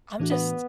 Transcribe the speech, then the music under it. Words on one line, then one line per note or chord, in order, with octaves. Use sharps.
I'm just
A2 E3 A3 D4 F#4
B3